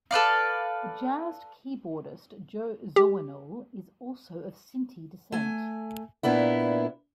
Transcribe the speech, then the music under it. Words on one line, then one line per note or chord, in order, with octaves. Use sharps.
The jazz keyboardist Joe Zawinul was also of Sinti descent.
A4 B4 D5 F5
G4
A3 G#5
A#2 A#3 B3 D4 E4